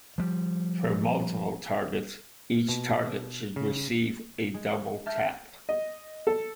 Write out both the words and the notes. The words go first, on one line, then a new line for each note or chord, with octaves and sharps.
For multiple targets, each target should receive a double tap.
F3 G3
B2
C#3
G#3
E5 A5 F6 G6 A#6
D#5
A4